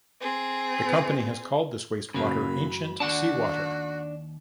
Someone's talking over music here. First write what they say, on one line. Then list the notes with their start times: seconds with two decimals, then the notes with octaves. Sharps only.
The company has called this wastewater "ancient seawater".
0.20 C4 G#4
2.14 F#2 C#3 F#3 A#3 B5
3.00 D#2 D4 F#4 F#5 A5